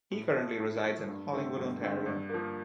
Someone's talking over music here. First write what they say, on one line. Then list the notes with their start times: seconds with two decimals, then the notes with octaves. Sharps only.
He currently resides in Collingwood, Ontario.
0.11 A2
0.36 F3 A3
0.60 A2
0.85 F3 A3
1.09 G2
1.33 D3 A3 C4
1.58 G2
1.81 D3 A3 C4
2.06 G2
2.29 F3 A#3